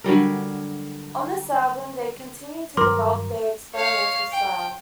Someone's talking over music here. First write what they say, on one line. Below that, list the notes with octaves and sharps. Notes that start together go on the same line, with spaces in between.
On this album, they continued to develop their experimental style.
D3 F#3 G3 A#4
G2 D#3 F#3 A#4 C6 D6 F6
C#5 F5
G5